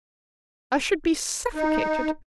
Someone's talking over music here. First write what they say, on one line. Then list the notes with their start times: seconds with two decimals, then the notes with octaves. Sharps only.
I should be suffocated.
1.55 D#4